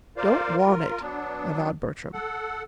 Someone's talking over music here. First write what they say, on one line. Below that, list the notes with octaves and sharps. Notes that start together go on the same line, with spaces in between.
"Don't want it," avowed Bertram.
F4 A#4 C5 D5 F5
F4 A#4
F#3 B3 D4
A4 F#5